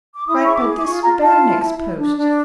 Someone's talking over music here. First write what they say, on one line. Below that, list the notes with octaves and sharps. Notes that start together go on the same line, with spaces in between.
Write by this very next post.
D6
E4 D#6
G#4 C#6
D6
G#4
D6
F4 C#6
F4 A#5
F4 A5
E4
E4
E4
D4
D4